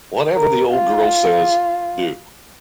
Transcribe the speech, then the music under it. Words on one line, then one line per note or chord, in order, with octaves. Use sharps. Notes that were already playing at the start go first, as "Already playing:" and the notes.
Whatever the old girl says, do.
A#4
F4